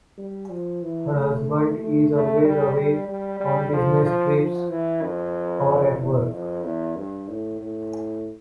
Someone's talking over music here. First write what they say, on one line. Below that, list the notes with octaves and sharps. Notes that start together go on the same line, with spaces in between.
Her husband is always away on business trips or at work.
G3
F3
E3
A3
A3
A3
G3
G3
G3
G3
F3
F3
F3
E3
F2
E2
F2
E2
G2
A2
A2